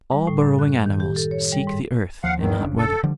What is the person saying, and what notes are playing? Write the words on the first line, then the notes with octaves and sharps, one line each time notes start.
All burrowing animals seek the earth in hot weather.
G3
A2
F#2
F#6
D#3
G4
A4
C#5
G3
G#2
D#2 F3 F5 F#5
E2 D#3
F1 C#3 D4
A4
D3 F3 G3